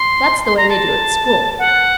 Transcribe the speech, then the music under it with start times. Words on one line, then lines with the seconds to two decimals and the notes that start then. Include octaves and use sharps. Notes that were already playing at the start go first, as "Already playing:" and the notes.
That's the way they do at school.
Already playing: C6
0.45 C6
0.57 A#5
0.69 A5
1.59 F#5